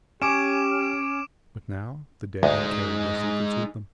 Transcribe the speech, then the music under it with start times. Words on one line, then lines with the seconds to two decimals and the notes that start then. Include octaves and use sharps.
But now the dead had carried their secrets with them.
0.22 C#4 G4 G#5 D6 D7 E7
2.43 D2 G#3 D#4